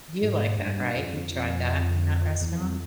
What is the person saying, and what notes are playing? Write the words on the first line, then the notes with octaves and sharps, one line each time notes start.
you like that, right? You tried that in that restaurant?
G#2
G2
F2
E2
F2